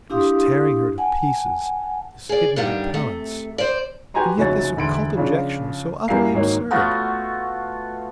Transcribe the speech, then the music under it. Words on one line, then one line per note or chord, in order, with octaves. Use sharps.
It was tearing her to pieces, this hidden repellence. And yet this occult objection was so utterly absurd.
D4 E4 G4 F5 C6 D#6
F#5 G#5 A5
G#4 D5
G2 D3 D#3 G3 D4
C3 A3
C5 D5
F#4 G4 B4 G#5 A#5 C6
F1 C#2 F#3 F#4 E5 A6
E1 D3 E5 B5 C6 D7
C#3 F3 D4 F4
F#2 G3 E4 A#4 F5 C7
G#2 D#3 F#3 A#3
A3 B3 F4 F#4